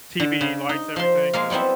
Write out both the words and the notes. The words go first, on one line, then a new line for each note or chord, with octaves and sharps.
TV, lights, everything, and then ju
D3
C#3
D#4
F3 A5 C6
G#3 A#3 F5
F#3 G3 B3 C4 E4